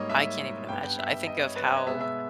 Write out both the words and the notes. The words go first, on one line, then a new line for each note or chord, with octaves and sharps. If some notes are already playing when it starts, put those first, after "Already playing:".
I can't even imagine I think of how
Already playing: G#2 G3 A#3 C#5 D#5
E5
G2 G3 B3 G5
G5
E5
D#5
C#5
B4
C#5
D#5
B2 G#3 B3 E5
E5